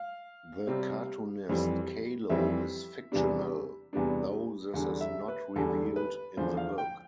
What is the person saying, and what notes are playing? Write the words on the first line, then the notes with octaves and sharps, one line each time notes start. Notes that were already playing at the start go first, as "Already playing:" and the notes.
The cartoonist Kalo is fictional, though this is not revealed in the book.
Already playing: F5
C3 G3 C4
F2 E3 G3 C4
F2 E3 G3 C4 E5
E2 C3 G3 B3 D4
E2 C3 G3 B3 D4
E2 D3 G3
E5
B4
E2 D3 G3 A4
B4
E2 D3 F3 C5
F5
G5